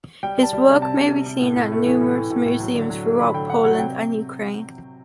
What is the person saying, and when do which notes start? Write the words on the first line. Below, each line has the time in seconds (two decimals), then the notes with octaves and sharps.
His works may be seen at numerous museums throughout Poland and Ukraine.
0.23 G3 G5
0.38 G3
0.43 A5
0.53 G3
0.67 C3
0.82 C3 A5
0.97 C3
1.12 C3
1.26 C3
1.41 A2
1.56 A2
1.72 A3
1.86 E3
2.01 A2
2.16 E3
2.30 A2
2.46 A2
2.60 F#3
2.75 D3
2.90 F#3
3.05 A3
3.19 D3 B5
3.34 D3 G5
3.49 D3 F#5
3.64 F#3 F#5
3.78 C3 G5